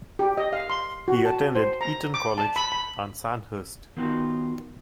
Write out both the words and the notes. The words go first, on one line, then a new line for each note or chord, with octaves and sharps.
He attended Eton College and Sandhurst.
G4
D#5
F5
C6
F#4
A5
C5
A#5
D6
A5
B5
B5
D#3 B3 D#4 F4 F#4 B4